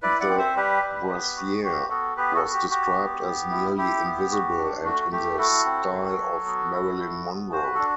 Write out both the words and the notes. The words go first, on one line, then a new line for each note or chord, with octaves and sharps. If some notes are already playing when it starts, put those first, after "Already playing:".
The brassiere was described as "nearly invisible" and in the style of Marilyn Monroe.
E4 B4 D5
D5 F#5
C4
C5 E5
G3 G4 B4
G3
B3
F#4
F#4 G4
B3 F#4 A4
B3 G4 B4
F#4 A4
F#4
G4
F#4 G4
B3
B3
E4
E4 G4
B3
F#4
D4
A3 F#4
A3 G4
E4 F#4 A4
C4
F#3
F#3
B3
E4
E4
B3
F#4 C5
B4
D4 A4